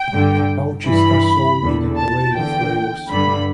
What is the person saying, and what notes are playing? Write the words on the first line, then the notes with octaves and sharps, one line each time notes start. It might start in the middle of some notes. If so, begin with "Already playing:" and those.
The pouches are sold in an array of flavors.
Already playing: G5
G2 D3
G2 E3 B5
E2 D3
A5
E2 D3 G5
G2 D3 B5